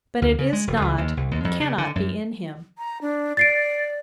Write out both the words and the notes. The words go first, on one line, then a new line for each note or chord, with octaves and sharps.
But it is not, cannot be in him.
D2
C#3
G#3
E1
C#2
D#2
C2
D#2
F2
C#3
D3
F#2
A#5
D4
D5 A6 C7 D7